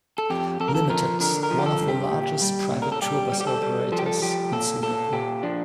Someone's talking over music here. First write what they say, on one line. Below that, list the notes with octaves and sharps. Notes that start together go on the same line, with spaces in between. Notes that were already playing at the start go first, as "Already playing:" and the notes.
Limited, one of the largest private tour bus operators in Singapore.
A4
F2 G4
F2 A4
A#4
A4
F3 A#4
D3 A#4
A#4
F3
G4
A4
G2
G4
A#2
G3
A#2
A#4
A4
G3 G4
G3
G4
A4
G3
F3 A4
G4
A4
F3 G4
A#2 A4
A#2 A4
A#2 G4
F3 D4